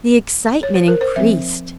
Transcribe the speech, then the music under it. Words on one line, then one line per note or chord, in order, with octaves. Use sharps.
The excitement increased.
C#5
C5
A#4
C5
F3 C4 E5